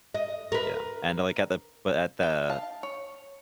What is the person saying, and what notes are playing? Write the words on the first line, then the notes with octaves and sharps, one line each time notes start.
Yeah, and, like, at the but at the
D#5
A#4 B4
G5
F5 A5
C#5